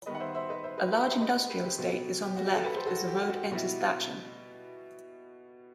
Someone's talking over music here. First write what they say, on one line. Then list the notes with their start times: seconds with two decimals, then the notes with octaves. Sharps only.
A large industrial estate is on the left as the road enters Thatcham.
0.06 D#3 G3 B3 B4 D#5
0.15 F#5
0.20 C5 E5
0.35 C5 E5
0.49 B4 D#5
0.64 C5 E5
0.78 B4 D#5
0.92 G4 B4
1.06 C5 E5
1.21 B4 D#5
1.50 G4 B4
1.65 G4
1.78 B2 F#3 B3
2.22 G4
2.36 F#4
2.46 G4
2.56 A4
2.64 G4 B4
2.75 A4 C5
2.86 F#4 A4
2.97 F#4
3.07 G4
3.23 F#4
3.37 G4
3.51 B2 G3 B3 E4 F#4